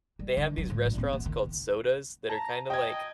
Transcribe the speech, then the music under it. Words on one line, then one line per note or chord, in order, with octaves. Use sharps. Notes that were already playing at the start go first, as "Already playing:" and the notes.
they have these restaurants called sodas, that are kinda, like
G3
D3
F#3
A2
A#1
C4
B3
D#3
A5 A#5
D#5 G5 G#6